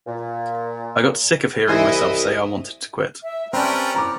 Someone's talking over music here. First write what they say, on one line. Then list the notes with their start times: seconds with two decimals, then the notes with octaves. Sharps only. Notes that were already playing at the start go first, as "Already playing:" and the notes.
I got sick of hearing myself say I wanted to quit.
0.07 A#2
1.68 C2 E3 E4 C5 D#5 E5 G#5
3.23 E5
3.53 C4 C#4 G4 A#4 B4 D5 A5
3.95 A#5 D6